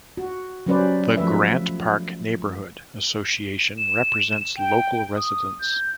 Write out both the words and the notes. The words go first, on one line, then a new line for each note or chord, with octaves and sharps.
The Grant Park Neighborhood Association represents local residents.
F#4
F#3 G3 C#4 B4 C5 D5
F3 G3 A3 B4 E5
E7
G5
D#6
G6